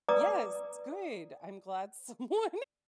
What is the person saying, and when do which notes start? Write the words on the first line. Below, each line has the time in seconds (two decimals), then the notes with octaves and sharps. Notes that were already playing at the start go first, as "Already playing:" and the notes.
Yes, good, I'm glad someone
0.09 B4 D5 A#5 D6 D#6